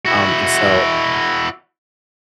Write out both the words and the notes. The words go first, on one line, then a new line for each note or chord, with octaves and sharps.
um, and so
E4 F#4